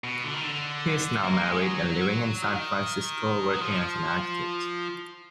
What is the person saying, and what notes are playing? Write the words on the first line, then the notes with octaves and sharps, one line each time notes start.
He is now married and living in San Francisco working as an architect.
B2
D3
D#3
D3
A#3
G#3
F#3
D#3
F#3
F3